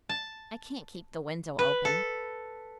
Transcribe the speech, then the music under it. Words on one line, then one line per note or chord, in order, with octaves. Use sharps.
"I can't keep the window open."
A5
B4
A4